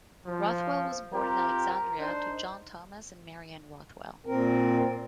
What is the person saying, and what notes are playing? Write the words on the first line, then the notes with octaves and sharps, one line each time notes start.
Rothwell was born in Alexandria to John Thomas and Mary Ann Rothwell.
F3
C4 F4 G4 A#4
D4 D#4 C5
A#2 C4 A#4